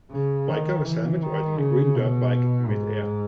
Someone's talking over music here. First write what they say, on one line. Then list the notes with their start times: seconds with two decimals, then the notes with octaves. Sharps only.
Biker with helmet riding a green dirt bike midair.
0.12 C#3
0.49 D#3
0.85 E3
1.22 D#3
1.59 C#3
1.96 B2
2.69 G#2